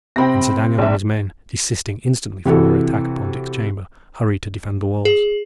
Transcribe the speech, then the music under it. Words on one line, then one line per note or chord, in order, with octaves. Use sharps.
And Sir Daniel and his men, desisting instantly from their attack upon Dick's chamber, hurried to defend the walls.
C3 C4 G5 B5 A#6
A#1 E5
C3 E3 F#4 A4
G#4